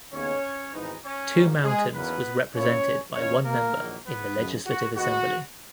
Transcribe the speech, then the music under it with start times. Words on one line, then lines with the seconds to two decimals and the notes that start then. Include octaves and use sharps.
Two Mountains was represented by one member in the Legislative Assembly.
0.13 D#2 C#3 G#3 B3 C#4 C#5
0.74 G#1 G#2 E3 B3 D#4
1.04 C#4 C#5
1.34 G#1 G#2 D#3 A#3
1.64 G#3 G#4
1.94 E2 D#3 F#3 A#3 B3 C#4 B4
2.54 A#2 A#3 C#4 E4 C#5
3.15 E2 C#3 G#3 C#4 D#4 C#5
3.45 A#3 A#4
3.75 A#1 G#2 D#3 F#3 A#3
4.06 B3 B4
4.36 F#2 C#3 G#3
4.67 F#4
4.96 D#2 D#3 G#3 B3 F#4